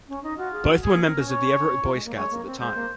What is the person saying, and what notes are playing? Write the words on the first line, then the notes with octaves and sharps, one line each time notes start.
Both were members of the Everett Boy Scouts at the time.
C#4
D#4
F4 F#4
G#4
F#4
G#4
A#3
C4 A#4
C#4
C#5
C#4
F4
G#3
A#3
G#3 C#5
A#3
C4
G#3 C5
A#3